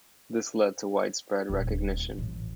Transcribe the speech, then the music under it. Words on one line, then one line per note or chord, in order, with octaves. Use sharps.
This led to widespread recognition.
D#1
A1